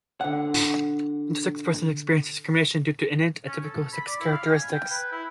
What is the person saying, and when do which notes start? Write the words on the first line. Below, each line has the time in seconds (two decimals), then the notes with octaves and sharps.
Intersex persons experience discrimination due to innate, atypical sex characteristics.
0.21 D3 F#5
3.47 C#4
3.64 A4
3.93 B5
4.07 D5
4.20 E4
4.32 F5
4.50 G#5
4.72 G5
4.91 B4
5.12 E4